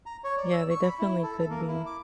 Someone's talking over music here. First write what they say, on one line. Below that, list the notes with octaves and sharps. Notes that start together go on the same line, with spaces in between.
Yeah, they definitely could be.
A#5
C#5
D5
E6
C#6
B5
E4
A4
A4
A#3
E4
D6